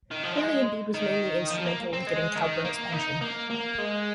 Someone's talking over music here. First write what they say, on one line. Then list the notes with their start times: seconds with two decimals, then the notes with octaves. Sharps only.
Hayley indeed was mainly instrumental in getting Cowper his pension.
0.11 D#3
0.24 F3
0.36 G#3
0.94 D#3
1.51 F3
1.65 A#3
1.93 C4
2.07 G#3
2.36 D#3
2.64 A#3
2.92 D#4
3.21 A#3
3.50 A#3
3.78 G#3